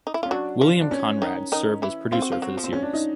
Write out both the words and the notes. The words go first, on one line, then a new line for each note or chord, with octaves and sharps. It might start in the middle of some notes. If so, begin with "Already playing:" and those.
William Conrad served as producer for the series.
D#4
E4
C#4 F4
F#3 D4 F#4
F3 F4
D4
C#4
D#3 D#4
D#3 D#4
E3 E4
C4 F4
F#4
F3 F4
F#3 F#4
F3 F4
C4
C#4
D4
D#4